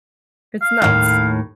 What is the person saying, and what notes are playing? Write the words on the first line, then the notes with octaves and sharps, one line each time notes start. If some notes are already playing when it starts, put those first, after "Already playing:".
it's nuts.
F5
D#2 A2